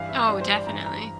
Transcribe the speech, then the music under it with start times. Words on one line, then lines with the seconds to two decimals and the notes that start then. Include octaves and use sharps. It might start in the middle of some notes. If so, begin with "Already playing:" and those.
Oh, definitely.
Already playing: G2 E3 G3 F5
0.09 E5
0.28 G2 E3 G3 D5
0.41 C5
0.54 D5
0.67 G2 E3 G3 A#5
0.86 A#5